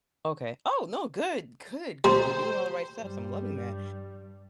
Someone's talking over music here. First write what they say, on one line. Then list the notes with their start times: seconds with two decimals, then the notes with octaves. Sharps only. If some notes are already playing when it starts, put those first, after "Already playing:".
Okay oh! No, good, good, good, you're doing all the right stuff, so I'm loving that,
2.04 G3 C5 A#5 C6
2.98 G2 G3